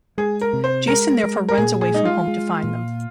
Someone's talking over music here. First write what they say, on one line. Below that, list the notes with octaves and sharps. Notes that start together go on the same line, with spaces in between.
Jason therefore runs away from home to find them.
G#3 G#4
A#4
C3
C5
G#3 A#4
G#3
A#4
A#2 G#4
G#4
G#3 D#4
F4
G#3
A#2